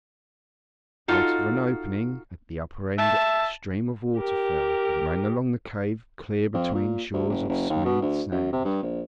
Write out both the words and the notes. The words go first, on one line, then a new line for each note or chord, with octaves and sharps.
Out of an opening at the upper end a stream of water fell, and ran along the cave clear between shores of smooth sand.
D#4 F4 F#4 A4
E5 A5
G4 A#4
F2
A#2
D2
F#1
F#1
D#2
B2
D2
F#2
C3
G2
A#1